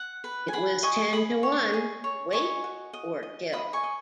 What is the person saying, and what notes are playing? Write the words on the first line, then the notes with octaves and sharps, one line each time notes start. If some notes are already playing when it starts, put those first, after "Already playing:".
It was ten to one — wake or kill.
Already playing: F#5
B4
G#5
G#4 F#5 B5
D#5 G#5 C#6
G#4 B5 D#6
C#5
G#4
C#5
D#5 G#5 C#6
F#4
D#5
D#5
D#5 B5 D#6
G#5 C#6
D#5